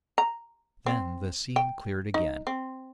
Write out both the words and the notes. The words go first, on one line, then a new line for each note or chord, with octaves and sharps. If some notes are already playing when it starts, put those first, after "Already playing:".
Then the scene cleared again.
A#5
C4
G5
D#4
C4